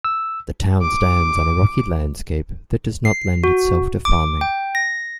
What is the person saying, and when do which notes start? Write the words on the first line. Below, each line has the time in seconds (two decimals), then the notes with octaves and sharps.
The town stands on a rocky landscape that does not lend itself to farming.
0.05 E6
0.82 D6
3.05 C7
3.44 F#4
4.05 D6
4.41 G5
4.75 A#6